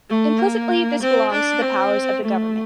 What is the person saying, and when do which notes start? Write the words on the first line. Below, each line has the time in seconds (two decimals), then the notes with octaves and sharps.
Implicitly this belongs to the powers of the government.
0.09 A3
0.39 A#3
1.01 C4
1.32 D4
1.61 C4
2.23 A3